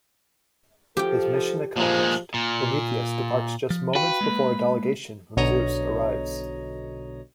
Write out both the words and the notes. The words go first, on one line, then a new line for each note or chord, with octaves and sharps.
His mission accomplished, Prometheus departs just moments before a delegation from Zeus arrives.
F3 G4 A4 G5
A#2 F3 G#3
A#2
F3
F#4 B4 F5 G5
G#3 A#3
B1 B2 D3 C#5 D#5 A#5